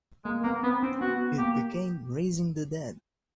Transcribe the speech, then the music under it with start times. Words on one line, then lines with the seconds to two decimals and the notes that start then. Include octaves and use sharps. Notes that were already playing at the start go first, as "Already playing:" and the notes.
It became "Raising the Dead".
0.24 G#3 A#3
0.43 A#3 B3
0.63 B3 C4
0.82 C4 C#4
1.01 B3 F#4
1.38 A#3 G4